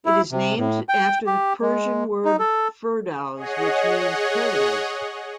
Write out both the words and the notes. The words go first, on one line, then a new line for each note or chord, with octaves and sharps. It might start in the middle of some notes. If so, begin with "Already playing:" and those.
It is named after the Persian word "Firdows", which means "paradise".
E4
C3
A2
G5
G4
G#3
D#4
A4
G#4 C#5 D#5 F#5